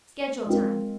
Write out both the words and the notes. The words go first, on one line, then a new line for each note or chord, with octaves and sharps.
Schedule time.
G#3 C4 F4 A#4